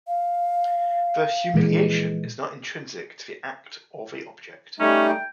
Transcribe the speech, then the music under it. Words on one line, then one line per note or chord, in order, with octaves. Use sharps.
The "humiliation" is not intrinsic to the act or the object.
F5
A#2 E3 G#3
G3 A3 C#4 D#4
G5